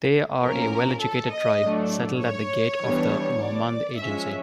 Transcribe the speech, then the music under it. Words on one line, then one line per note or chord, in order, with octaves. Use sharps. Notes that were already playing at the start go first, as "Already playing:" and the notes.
They are a well-educated tribe settled at the gate of the Mohmand Agency.
A#2 F3 A#3 C#4 A#4
A4
D#5
A2 F#3 A3 D4
C#5
E3 G3 B3 D4
D5
F3 G#3 C#4 E5